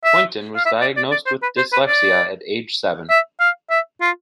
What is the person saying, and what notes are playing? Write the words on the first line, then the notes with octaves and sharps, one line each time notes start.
Tointon was diagnosed with dyslexia at age seven.
E5
F5
E5
D5
D5
D5
C5
B4
C5
B4
D5
E5
F5
E5
F4